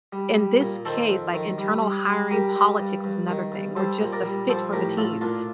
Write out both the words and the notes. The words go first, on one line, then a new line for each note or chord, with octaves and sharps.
In this case, like internal hiring politics is another thing or just the fit for the team,
G3
G3
A#2
D#3 A4 C5
F2
D#3
G3
G3
G3
G3 G4 A#4
G3
G2
G2
D#3
G2
G3 A4 C5
A#2
A#4 D5
G3
F3 A4 C5
A2 G4 A#4
A2 F4 A4
A#2 D4 F4